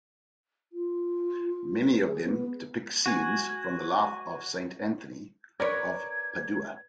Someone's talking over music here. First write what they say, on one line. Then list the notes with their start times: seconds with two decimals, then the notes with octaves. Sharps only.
Many of them depict scenes from the life of Saint Anthony of Padua.
0.73 F4
2.04 G#4
2.25 B3
3.06 F#4 G#5
5.60 A#4 B4 C#5 D5 G#6